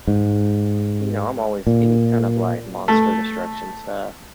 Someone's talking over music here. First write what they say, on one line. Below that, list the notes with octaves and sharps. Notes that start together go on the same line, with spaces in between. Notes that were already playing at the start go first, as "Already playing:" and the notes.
you know, I'm always any kind of, like, monster destruction stuff.
G#2
A#2
A3